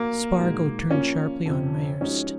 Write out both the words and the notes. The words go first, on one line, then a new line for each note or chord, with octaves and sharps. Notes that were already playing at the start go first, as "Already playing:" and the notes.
Spargo turned sharply on Myerst.
Already playing: A#3 F#4
A#2 G#3 D#4 F#4
F3 A#3 C#4 F4
F2 C3 F3 C4
F3 G#3 C#4 D#4 F#4